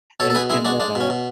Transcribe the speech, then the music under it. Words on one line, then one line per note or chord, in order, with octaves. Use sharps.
and and then, uh,
B2 A4 C#5
A4
B2 G#4 B4
G#3 E4 G#4
G#3 D4 F#4
G#3 D4
B2
C#4
B2